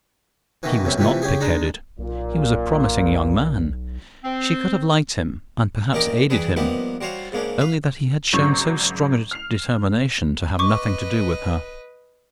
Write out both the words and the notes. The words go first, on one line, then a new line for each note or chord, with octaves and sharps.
He was not pigheaded; he was a promising young man; she could have liked him and perhaps aided him--only that he had shown so strong a determination to have nothing to do with her.
B2 D#3 E3
B1 F#2 C3
F2 C3 E3 A3
C#3 G4 G#4
G#3 D4 D#4
B1 A#2
C4
A#2 C#4 D#4 G4 A#4 D6
E3 G3 D4 G#4 B4
G2 F3 A#3 B3 D#4 G4
G3 F#4 C5 C#5 F5
G#2 C#3 A#3 C#4 D4
B4 F5
G#1 C#3 F#3 C#6
F6 C7 F7
B4 D#5 C#6 D6